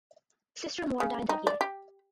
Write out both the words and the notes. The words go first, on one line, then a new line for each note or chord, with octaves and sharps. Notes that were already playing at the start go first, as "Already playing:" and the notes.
Sister More died that year.
C#3
D#4
D5
G4